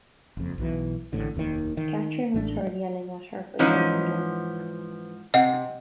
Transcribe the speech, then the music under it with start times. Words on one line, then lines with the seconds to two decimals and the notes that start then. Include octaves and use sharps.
Catherine was heard yelling at her for taking lovers.
0.37 F#1 F2
0.58 B1 B2 E3
1.13 A1 A2 D3
1.35 F1 D#2 C3 D#3
1.77 D#3
2.34 A1 A3 D4
3.59 G#2 E3 F3 C#4 D#4
5.34 C3 D#5 F#5